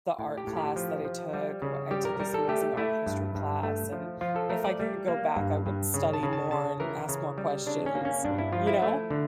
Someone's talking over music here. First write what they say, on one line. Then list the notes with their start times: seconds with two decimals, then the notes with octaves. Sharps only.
the art class that I took, wh I took this amazing art history class, and if I could go back, I would study more and ask more questions. You know?
0.19 A2
0.38 G4
0.47 A2
0.57 G4
0.76 F3
1.05 F3
1.33 G3
1.62 C#3
1.91 G3 G4
2.05 A#4
2.20 G3 A#4
2.34 A4
2.49 A3 G4
2.77 A3 E4
3.07 G2
3.35 G2
3.63 A3
3.92 F3
4.21 F3 F4
4.36 A4
4.50 A3 A#4
4.65 D5
4.80 G3
5.08 A#3
5.36 G2
5.66 G2
5.94 C#3
6.13 A5
6.23 C#3
6.33 A5
6.51 C#3 A5
6.80 E3 A#4
7.09 C#3
7.38 G3
7.66 C#3 D4
7.86 C#4
7.95 A#3
8.05 C#4
8.24 G2 D4
8.38 E4
8.52 F3 F4
8.67 E4
8.82 A3
9.10 D3